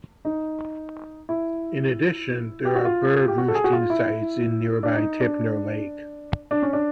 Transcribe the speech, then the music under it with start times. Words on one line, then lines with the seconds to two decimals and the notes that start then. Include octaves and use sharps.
In addition, there are bird roosting sites in nearby Tipner Lake.
0.25 D#4
1.29 E4
2.65 G4
2.75 F#4
2.85 F4
3.28 G4
3.38 F#4
3.48 A4
3.55 G#4
3.64 F#4
3.73 F4
3.90 E4
4.83 D4
4.95 D#4
5.20 D4
6.51 D4
6.62 C#4
6.73 D4